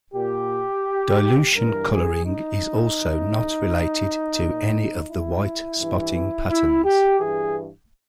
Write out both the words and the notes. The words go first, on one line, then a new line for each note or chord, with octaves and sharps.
Dilution coloring is also not related to any of the white spotting patterns.
A#2 G4
G2 E3 A#4
G#4
D#4
E2 C#3 E3
A#2
E4
G2 E3
E4
G4
G2 E3 G#4